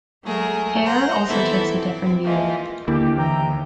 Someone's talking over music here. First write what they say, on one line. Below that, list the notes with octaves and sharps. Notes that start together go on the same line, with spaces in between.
Hare also takes a different view.
F#3 G#3 A3 G#4 A#4
C5 F#5 A#5
E3 F#3 B3 E4 A4 E5
C4
E3 F3 G#3 A#3
D#2 D3 A#3 E4 G4
E3 E5 G5 A#5